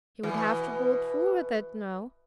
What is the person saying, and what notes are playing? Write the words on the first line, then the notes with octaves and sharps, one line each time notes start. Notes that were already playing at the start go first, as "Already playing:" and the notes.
He would have to go through with it now.
B2 E3